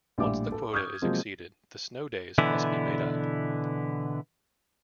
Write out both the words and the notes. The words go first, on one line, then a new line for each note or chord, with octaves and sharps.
Once the quota is exceeded, the snow days must be made up.
A#1 A2 G3 D5 E5 D6
A4
C#6 D#6 F6 G6 G#6
C3 F3 F#3 G#3 A#3
B2 D3 E3 B3 E4